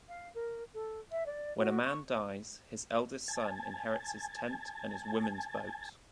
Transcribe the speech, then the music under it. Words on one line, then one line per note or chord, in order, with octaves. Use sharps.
When a man dies, his eldest son inherits his tent and his women's-boat.
F5
A#4
A4
E5
D5
F#4
C#6
G#5 A5